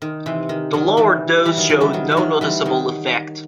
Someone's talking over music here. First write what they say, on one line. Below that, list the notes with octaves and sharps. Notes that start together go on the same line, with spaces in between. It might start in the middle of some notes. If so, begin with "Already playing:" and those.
The lower dose showed no noticeable effect.
D#3
C3 E3
D#3
D#3 F#3
E3 G3
E3 G3
D#3 F#3
D#3 F#3
E3 G3
D#3 F#3
E3
D#3 F#3
E3 G3
D#3 F#3